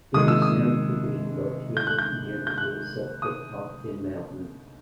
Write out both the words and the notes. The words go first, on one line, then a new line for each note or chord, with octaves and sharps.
It is known for being located near the base of Catoctin Mountain.
C3 D#3 G#3 D#6
E6
D#6
G6
F#6
G6
G6
F#6
D#6